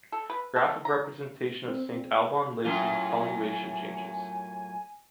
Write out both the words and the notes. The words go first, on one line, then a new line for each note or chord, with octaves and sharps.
Graph of representation of Saint Alban Leysse’s poluation changes.
A4
B4
A4
A#5
C4
F#2 A2 F4 G#5